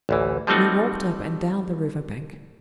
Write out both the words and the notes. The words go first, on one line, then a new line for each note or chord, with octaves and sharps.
We walked up and down the river-bank.
A1 D2 E3
F3 G3 A3 C4 D#4 F#4